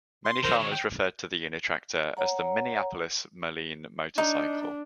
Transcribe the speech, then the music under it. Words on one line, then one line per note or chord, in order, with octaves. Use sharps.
Many farmers referred to the Uni-Tractor as the "Minneapolis-Moline Motorcycle".
C6
D#3 F#3 A#4 C5 A#5
C#5
G5
C#5 F#5 A#5
D4 D#4